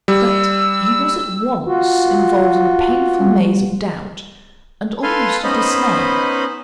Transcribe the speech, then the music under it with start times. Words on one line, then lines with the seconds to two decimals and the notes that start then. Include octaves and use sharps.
But he was at once involved in a painful maze of doubt and almost of dismay.
0.08 G3 E6
1.66 F4 F#4
3.21 G3
5.03 A4 B4 F5 G#5 C6
5.44 B3 C#4 D#4 C5 D#5 B5